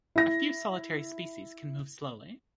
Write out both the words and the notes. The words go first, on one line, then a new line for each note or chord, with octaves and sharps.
A few solitary species can move slowly.
E4 A#6